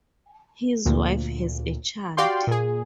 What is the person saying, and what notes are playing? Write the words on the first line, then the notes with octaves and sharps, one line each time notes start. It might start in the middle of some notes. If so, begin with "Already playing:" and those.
His wife has a child.
D2 A#2
F#4 G4 D5 F5 G5 C6
A#2 G#4